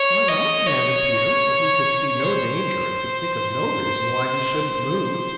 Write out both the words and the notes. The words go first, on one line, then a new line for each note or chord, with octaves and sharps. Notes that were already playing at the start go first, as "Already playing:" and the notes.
"Why not?" demanded Peter, for he could see no danger and could think of no reason why he shouldn't move.
Already playing: C#5
D#5
C#5
C5